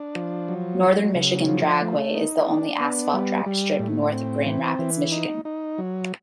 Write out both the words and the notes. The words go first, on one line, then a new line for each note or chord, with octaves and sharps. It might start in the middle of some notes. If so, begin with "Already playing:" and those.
Northern Michigan Dragway is the only asphalt dragstrip north of Grand Rapids, Michigan.
Already playing: D4
F3
F#3
F#3
C#3
F3
A3
D#4
D4
B3
G3
G3
A2
C4
E3
E3
D#4
D#4
F#3